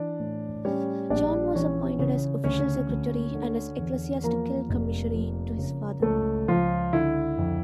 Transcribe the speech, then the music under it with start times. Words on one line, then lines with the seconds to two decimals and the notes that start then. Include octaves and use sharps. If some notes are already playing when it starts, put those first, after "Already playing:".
John was appointed as official secretary and as ecclesiastical commissary to his father.
Already playing: E3 D4 D5
0.20 A2
0.65 G3 C#4 C#5
1.10 A#1 D4 D5
1.55 E3 C#4 C#5
1.99 C#3
2.44 D2 C#4 C#5
2.89 D2
3.34 D3
3.78 E2
4.24 F3 A#3 A#4
4.69 F1
5.13 F3
5.58 C#3
6.02 C#2 A3 A4
6.48 C#2 F3 F4
6.93 D3 E4
7.38 F2